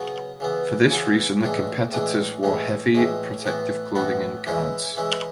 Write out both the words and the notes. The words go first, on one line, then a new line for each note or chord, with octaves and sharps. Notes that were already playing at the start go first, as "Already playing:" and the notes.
For this reason the competitors wore heavy protective clothing and guards.
Already playing: C#3 F#3 B3 F#4
C#3 E3 B3
C#3 E3 B3
A2 E3 G#3 D4
A2 E3 G#3 D4
A2 E3 G#3 C#4
A2 E3 G#3 C#4
A2 E3 B3 F#4
A2 E3 B3 F#4
E3 G#3 C#4 E4
E3 G#3 C#4 E4